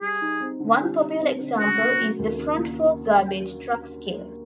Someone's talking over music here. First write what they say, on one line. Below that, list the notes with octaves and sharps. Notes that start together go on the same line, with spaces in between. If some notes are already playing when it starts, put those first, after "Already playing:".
One popular example is the front fork garbage truck scale.
G3 G#4
D#4
C4
D3
G3
D#4
C4
D3
C#3 F#4
A#3
F#3
D#2
C#3
A#3